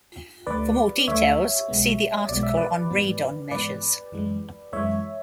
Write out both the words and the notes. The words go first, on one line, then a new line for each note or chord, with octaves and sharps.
For more details, see the article on Radon measures.
D2 D3 A3 B4 D5
D2 D3 A3 C#5 E5
B1 B2 G#3 B3
B1 B2 G#3 B3 D5
E5
B4 D5
G#2 E3 B3
G#2 E3 B3 B4 D5
F#2 E3 G#3
F#2 E3 G#3 C#5 E5